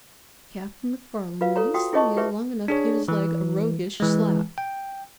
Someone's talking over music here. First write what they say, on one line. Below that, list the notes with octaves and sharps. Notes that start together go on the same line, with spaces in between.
Captain MacFarland released the wheel long enough to give his leg a roguish slap.
F4 B4 F5
A4 C#5 A#5
F4 F#4 G5 D#6
E4 G#4 C#5 D#5 A5 C#6
G4 G#4 B4 C#5 E5
D4 G#4 C#5
E3
E3 G#3
G5